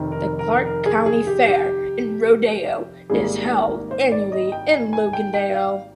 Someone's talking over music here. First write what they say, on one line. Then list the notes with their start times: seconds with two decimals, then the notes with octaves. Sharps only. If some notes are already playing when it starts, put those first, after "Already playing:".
The Clark County Fair and Rodeo is held annually in Logandale.
Already playing: F1 F2 D#3
0.12 A#4
0.39 A#4
0.66 A#4
0.86 G#4
1.06 G#4
1.27 G4
1.48 G4
3.10 G#1 G#2 G3 A#3 G#4
3.50 A#4
3.91 C5
4.12 D5
4.32 D#5
4.52 G5
4.73 G#5
4.93 G#5
5.13 G5
5.34 G5
5.54 F5